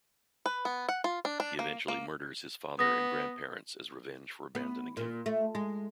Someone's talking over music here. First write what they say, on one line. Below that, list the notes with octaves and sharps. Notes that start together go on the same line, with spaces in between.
He eventually murders his father and grandparents as revenge for abandoning him.
B4
B3
F#5
F4
D4
D4
A#3
A#3
B3 D#6 A#6
B3
A#2
A3
G#3